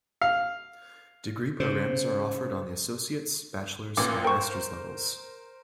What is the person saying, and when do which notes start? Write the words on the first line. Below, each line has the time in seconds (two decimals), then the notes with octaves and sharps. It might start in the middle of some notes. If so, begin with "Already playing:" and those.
Degree programs are offered on the associate's, bachelor's, and master's levels.
0.21 F5
1.60 C#3 C5
3.97 A1 A#2 D6
4.24 A#4 C5 G5 C#6